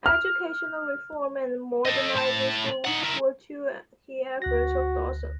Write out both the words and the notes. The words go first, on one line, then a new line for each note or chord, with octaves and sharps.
Educational reform and modernizing schools were two key efforts of Dosan.
F6
A4 D#5
A2 A5
D#4 F#5
E4 A#4
D2 F#4 F#6 A#6